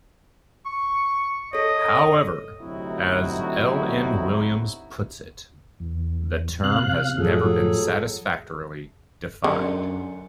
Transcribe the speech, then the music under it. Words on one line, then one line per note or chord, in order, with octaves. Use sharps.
However, as L. N. Williams puts it, "the term has never been satisfactorily defined".
C#6
A4 C#5 D#5
D2 C3 F#3 D#4 E4 F#4
E2
C3 F5 F#6
F#2 A2 F3 F#3 G#4 A4
F#2 D3